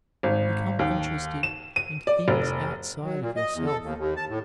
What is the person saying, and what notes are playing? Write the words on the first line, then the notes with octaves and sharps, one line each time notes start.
Become interested in things outside of yourself.
G#1
D#2
E7
D#7
D5
F1
F#3
A#2
D#5
E2
A4
D#2
D#2
A5
A2